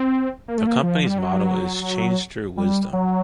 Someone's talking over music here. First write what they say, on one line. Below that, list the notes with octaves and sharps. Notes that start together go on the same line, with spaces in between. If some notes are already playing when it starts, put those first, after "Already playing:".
The Company's motto is 'Change through Wisdom'.
Already playing: C4
A#3
A3
A#3
F3
G3
F#3
G3
F#3